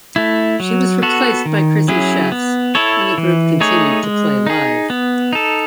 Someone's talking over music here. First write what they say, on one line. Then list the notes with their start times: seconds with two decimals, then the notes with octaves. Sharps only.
She was replaced by Chrissy Shefts and the group continued to play live.
0.16 A3 E4
0.60 F#3
1.02 B3 F#4 A4
1.46 D#3
1.88 F#3 C#4 E4 G#4
2.32 B3
2.75 E4 A4 C#5
3.18 E3
3.60 A3 D#4 G#4 C#5
4.03 G#3
4.47 D#4 G#4
4.90 B3
5.33 D#4 A4